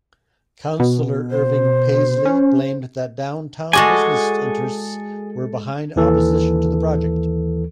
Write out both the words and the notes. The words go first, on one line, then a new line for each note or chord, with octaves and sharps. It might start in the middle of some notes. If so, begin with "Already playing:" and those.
Councillor Irving Paisley blamed that downtown business interests were behind opposition to the project.
B2
C5
C#4
G#3 F#4 G#4 A4 D5 G#5
D#2 E3 A4